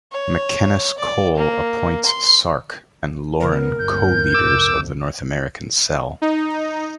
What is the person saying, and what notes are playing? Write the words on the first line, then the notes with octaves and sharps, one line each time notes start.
McKenas Cole appoints Sark and Lauren co-leaders of the North American cell.
C#5
D5
A#3
C6
C#3 B3 A#4
G1 D2 G2 G6
C2 F2 D6 E6
D#4